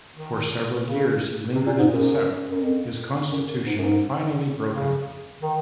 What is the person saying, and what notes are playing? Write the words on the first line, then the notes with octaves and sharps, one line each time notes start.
For several years he lingered in the south, his constitution finally broken.
D#3
C#3
C3
A#2
G#2
F#2
F#2
F2
F#2
G#2
F#2
G#2
C#3
D#3